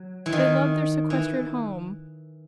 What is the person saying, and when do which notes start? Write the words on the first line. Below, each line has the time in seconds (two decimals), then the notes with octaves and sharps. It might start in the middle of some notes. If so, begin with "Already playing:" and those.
They loved their sequestered home.
Already playing: F#3
0.26 E3
0.32 D#3
1.10 E3